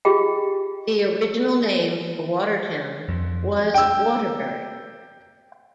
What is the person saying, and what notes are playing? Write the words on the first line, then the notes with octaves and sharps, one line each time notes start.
The original name for Watertown was Waterbury.
F4 G4 G#4 D#5 G5
F2
G5 E6